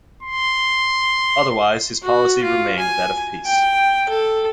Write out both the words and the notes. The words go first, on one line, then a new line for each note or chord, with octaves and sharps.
Otherwise his policy remained that of peace.
C6
F#4
F4
G#5
G5
A4